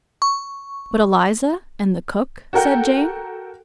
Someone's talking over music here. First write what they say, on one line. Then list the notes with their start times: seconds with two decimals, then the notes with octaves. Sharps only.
'But Eliza, and the cook?' said Jane.
0.22 C#6
2.53 F#4 A4 A#4 F#5 G5